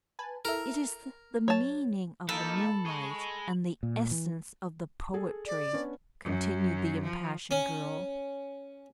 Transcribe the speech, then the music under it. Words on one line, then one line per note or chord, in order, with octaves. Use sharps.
"It is the meaning of the moonlight, and the essence of the poetry," continued the impassioned girl.
B4 G#5 A5
E4 A4 A#4 E5
F#3 C#5 A5
F3 A#3 D#4 A4 B5
G#4 D#5 C#6
A#2
E3
G#4 A4
D5
B3 C#4 D4
F#2
F3
C#4